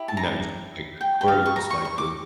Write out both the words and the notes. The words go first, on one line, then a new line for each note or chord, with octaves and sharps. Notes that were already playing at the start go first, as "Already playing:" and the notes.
you know, you said, like, the aquarium, it's, like, the
Already playing: E4 G4
A5
A#5
G5
G5
F5
C#6
A#5
C#6
C#6
D6